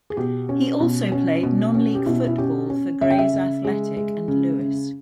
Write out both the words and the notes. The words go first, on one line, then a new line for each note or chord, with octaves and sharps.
He also played non-League football for Grays Athletic and Lewes.
G#4
B2 G4
C#4
B2
C#4
B2
C#4
G4
B2 E4
E4
C#4 G4
C#4
C#3 E5
G5
E5
C#3
G#3
G#3
C#3
C#3